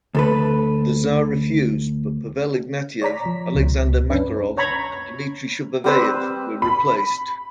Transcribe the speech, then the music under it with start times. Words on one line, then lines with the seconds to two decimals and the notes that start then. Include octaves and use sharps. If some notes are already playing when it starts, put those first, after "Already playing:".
The tsar refused, but Pavel Ignatieff, Alexander Makarov and Dmitry Shuvayev were replaced.
0.15 D2 A4 B4
3.02 C#5 D5 A#5 B6
3.26 F3
3.54 C#2 B2
4.10 F#2 C#4 D4 B4
4.57 C#5 A#5 B5
5.84 G3 C4 G4 B4 C5
6.62 B5